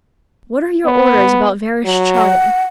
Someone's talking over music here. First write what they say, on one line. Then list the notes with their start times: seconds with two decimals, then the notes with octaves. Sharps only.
What are your orders about Vereshchagin?
0.85 B3
1.85 F#3
2.16 F#5